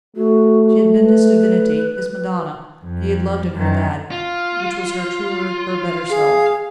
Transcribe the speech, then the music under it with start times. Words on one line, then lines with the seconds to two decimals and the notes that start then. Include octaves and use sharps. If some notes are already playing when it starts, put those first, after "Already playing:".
She had been his divinity, his madonna; he had loved in her that, which was her truer, her better self.
0.16 A3 F#4
1.02 B4
2.85 F2
3.54 F#2 D#3
4.11 F4
6.10 G#4 F5